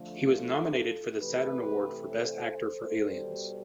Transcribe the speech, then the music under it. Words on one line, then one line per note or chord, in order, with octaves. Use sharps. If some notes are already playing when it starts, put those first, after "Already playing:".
He was nominated for the Saturn Award for Best Actor for Aliens.
Already playing: D3 F3 A3
F4 A4
C3 E3 A3 G4 B4
A4 C5
B2 G3